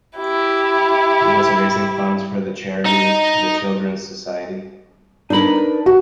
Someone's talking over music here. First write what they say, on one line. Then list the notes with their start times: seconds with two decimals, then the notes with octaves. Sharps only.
He was raising funds for the charity The Children's Society.
0.18 E4 G4
2.86 D#4
5.30 D4 D#4 A#4 B4 B5
5.86 F#4